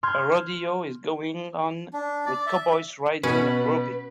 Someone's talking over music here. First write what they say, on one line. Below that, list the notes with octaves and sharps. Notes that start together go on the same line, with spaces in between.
A rodeo is going on with cowboys riding and roping.
C6 F6 G6 G#6
D4
D5
E5
B2 C#4 B4